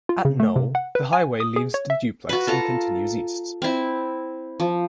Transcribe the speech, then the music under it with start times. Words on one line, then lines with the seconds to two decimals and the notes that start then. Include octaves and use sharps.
At Noel, the highway leaves the duplex and continues east.
0.09 F4
0.25 C#3
0.40 A3
0.56 C3
0.75 F#5
0.95 B4
1.13 G#5
1.40 D#6
1.56 G#4
1.74 C#5
1.90 E5
2.29 F#4 B4
2.47 F4 A4 A#5
3.62 C4 E4
4.60 F3